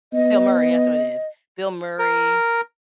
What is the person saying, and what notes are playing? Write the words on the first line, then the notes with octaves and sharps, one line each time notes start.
Bill Murray, that's what it is. Bill Murray
B3 D#5
A#4